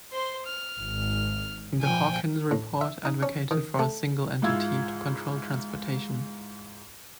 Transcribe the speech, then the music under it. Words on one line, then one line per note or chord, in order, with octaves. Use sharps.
The Hawkins report advocated for a single entity to control transportation.
C5 C6
F6
G#1
A#2 F3 G5 G#5
A2
E5
D#4
C#4
D#3
A3
G#2 E4 F4 E6 G#6